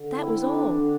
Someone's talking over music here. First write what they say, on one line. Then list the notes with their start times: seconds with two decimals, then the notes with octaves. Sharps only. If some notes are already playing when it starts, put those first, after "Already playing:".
That was all!
Already playing: D3
0.16 C4 E4
0.41 D3 D4
0.66 D3